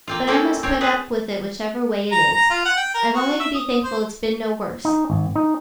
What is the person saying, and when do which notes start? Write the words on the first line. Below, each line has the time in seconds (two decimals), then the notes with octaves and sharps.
But I must put up with it whichever way it is--I've only to be thankful it's been no worse.
0.08 A#3 C4 F4
0.27 A#3 C4 C#4 E4 A4 A#4
0.63 C4 C#5
0.81 G#4 B4 A5
2.12 A#5
2.33 A#5
2.50 F4
2.65 F#5
2.77 G5
2.94 A#4
3.15 F#4
3.40 E5
3.55 D#6
3.84 C5
4.85 D#4
5.10 G#1
5.36 D#4